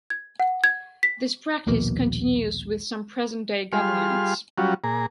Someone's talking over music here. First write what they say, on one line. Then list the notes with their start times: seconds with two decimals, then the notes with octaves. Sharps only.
This practice continues with some present day governments.
0.10 G#6
0.40 F#5
0.64 G#6
1.03 B6
1.67 D#1 A#1 B2 A#3
3.73 G3 F4 G#4 C6 F6
4.58 F#3 G3 C#4 F4 F#4
4.84 A#2 G#4 A#5